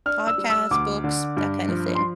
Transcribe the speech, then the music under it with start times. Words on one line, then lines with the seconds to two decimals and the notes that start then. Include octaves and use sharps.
podcast, books, that kinda thing.
0.06 D4 F6
0.27 E6
0.38 G3
0.50 E6
0.71 D2 D6
1.04 D3
1.37 G2
1.68 F3
1.95 C6